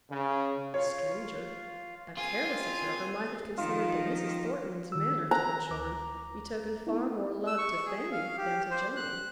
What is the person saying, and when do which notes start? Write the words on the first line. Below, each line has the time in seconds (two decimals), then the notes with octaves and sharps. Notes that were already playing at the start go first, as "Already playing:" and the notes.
A stranger, a careless observer might have considered that Mrs. Thornton's manner to her children betokened far more love to Fanny than to John.
0.10 C#3
0.74 F4 C#5 F5
2.18 A#3 C4 F4 G#4 G#5
3.58 D#3 F3 F4
4.92 D#3 E6
5.31 A#5 F#6
5.70 D2 D6
6.87 B3 D#4 E4
7.47 E6
7.58 C#6
7.86 G#4
8.12 F5
8.37 G4
8.71 C5
8.96 F#6